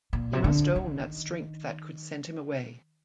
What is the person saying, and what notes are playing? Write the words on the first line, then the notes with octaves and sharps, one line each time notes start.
He must own that strength that could send him away.
A#2
C3
D3
D#3